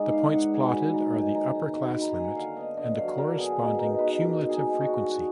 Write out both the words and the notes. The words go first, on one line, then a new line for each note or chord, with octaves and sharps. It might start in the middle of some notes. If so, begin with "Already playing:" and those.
The points plotted are the upper class limit and the corresponding cumulative frequency.
Already playing: G#2 G#3 D#4 G#4 D5
B3 F5
G#2 F#5
F#3 G#5
G#2 B5
B3 A#5
D#3 G#5
A#3 A#5
D#3 A#5
F#3 F#5
B5
D#3
A#5
A#3 G#5
F#5
D3 F5
B3 D#5
D3 D#5
F#3 F5
D3 A#4
B3 G#4
B2 A#4
D#4 A#4
B2 B4
A#3 A#4
B2
G#4
D#4
D4 F#4
B3
F#4